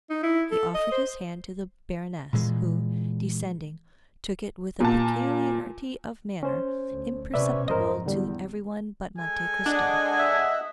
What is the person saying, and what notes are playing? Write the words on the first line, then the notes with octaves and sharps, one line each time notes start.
He offered his hand to the baroness, who, descending, took it with a peculiarity of manner imperceptible to every one but Monte Cristo.
D#4
E4
A4
D#5
C5
A#2 E3 G#3
A#2 A5
C#4 C5
D2
C3 C#4 B4 D5 E5
F2 G#2 A#4 C5 D#5
E2 D3 G3
G#3 A4 G#5
D4 D#5 F#5
E5